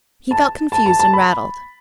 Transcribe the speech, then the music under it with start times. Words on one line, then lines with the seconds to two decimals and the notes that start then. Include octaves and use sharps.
He felt confused and rattled.
0.31 A5
0.72 A5
0.86 A5
0.99 A5
1.13 B5